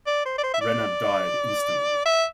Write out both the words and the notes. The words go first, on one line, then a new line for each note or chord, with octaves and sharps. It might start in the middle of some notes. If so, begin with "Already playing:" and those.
Renna died instantly.
D5
C5
D5
C5
E5
D5
E5